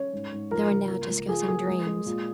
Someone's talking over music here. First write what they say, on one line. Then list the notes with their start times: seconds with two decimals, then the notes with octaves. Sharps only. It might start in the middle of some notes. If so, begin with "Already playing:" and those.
They were now discussing dreams.
Already playing: C#4 C#5
0.13 G#2
0.32 G#2
0.51 F3 A#4
0.70 C#2
0.90 A#3
1.09 C#2
1.28 F3 G#4
1.48 A#3 G#4
1.68 G#3
1.87 G#3
2.06 A#2